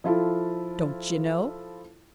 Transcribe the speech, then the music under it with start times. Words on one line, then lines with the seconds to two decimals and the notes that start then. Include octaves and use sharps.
Don't you know?
0.04 F3 E4 F4 A4